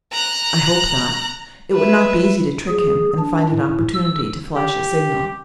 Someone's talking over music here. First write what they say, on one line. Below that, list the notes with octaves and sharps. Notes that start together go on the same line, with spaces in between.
I hoped not: it would not be easy to trick him and find an opportunity to flash a signal.
A#5 F#6
B4 E5
G#4
D4
A2
E6
G4